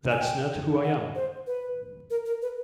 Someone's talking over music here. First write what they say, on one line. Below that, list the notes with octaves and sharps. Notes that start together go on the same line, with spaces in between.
That's not who I am.
G#5
G5
F#5
C5
B4
A#4
A#4
B4